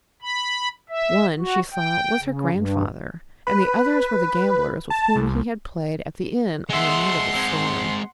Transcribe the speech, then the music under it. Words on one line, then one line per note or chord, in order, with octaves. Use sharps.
One, she saw, was her grandfather, and the others were the gamblers with whom he had played at the inn on the night of the storm.
B5
E5
F#4
G5
C#3
G2
B4
A5
C2
G#3 E5 F#5 C6
G#3 C4